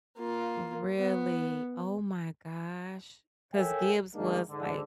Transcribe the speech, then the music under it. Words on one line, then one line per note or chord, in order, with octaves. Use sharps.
Really? Oh my gosh. 'Cause Gibbs was, like,
A#3 F4
B3
A4 A#4 C#5 E5 G5 G#5
G2 D#3 G#3 A#3 D4 D#4
G#2 D3